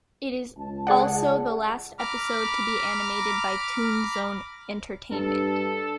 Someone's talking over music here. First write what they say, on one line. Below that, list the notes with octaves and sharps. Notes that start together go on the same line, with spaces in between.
It is also the last episode to be animated by Toonzone Entertainment.
C#2 A5
G#4 D5 F#5
A#5 B5 D6 F6
G2 A4